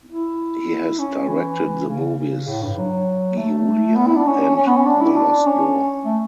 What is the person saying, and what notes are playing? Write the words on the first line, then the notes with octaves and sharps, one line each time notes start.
He has directed the movies "Giulia" and "The Lost Door".
E4
C#4
E3
C#3
A2
G2
F#3
A3
B3
E4
D4
C#4
C#4
B3
C#4
D4
E4
D4
C#4
A3